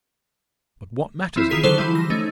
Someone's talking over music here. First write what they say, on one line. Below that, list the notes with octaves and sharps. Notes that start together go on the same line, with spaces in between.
But what matters it?
E3 F3 C4 E4
D#3 F4 G#4 B6 C7
D3 F#3 A4 C5 E6 E7
E3 F3 G3 E4
A#6
A3 C#4 D#4